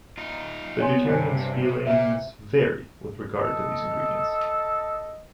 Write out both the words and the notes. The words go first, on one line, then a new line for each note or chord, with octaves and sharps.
Vegetarians' feelings vary with regard to these ingredients.
D#4 F4
B3 C#5 G#5 C6
G2 C3 C5 G#5
A#2 A#3 B4 E5
A4 D#5